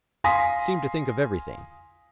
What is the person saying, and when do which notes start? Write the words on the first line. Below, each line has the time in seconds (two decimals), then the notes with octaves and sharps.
Seemed to think of everything.
0.24 F5 G#5 C6 D#6 A#6 B6